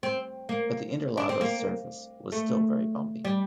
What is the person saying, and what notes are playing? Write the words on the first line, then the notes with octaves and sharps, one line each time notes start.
But the Interlagos surface was still very bumpy.
C4
A#3
D4
C4
A#3
A3
G3